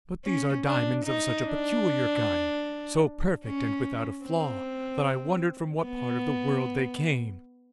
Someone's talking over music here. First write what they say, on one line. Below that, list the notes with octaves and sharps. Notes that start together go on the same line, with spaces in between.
"But these are diamonds of such a peculiar kind, so perfect and without a flaw, that I wondered from what part of the world they came."
C#4
D4
D#4
D4
C#4
C4
B3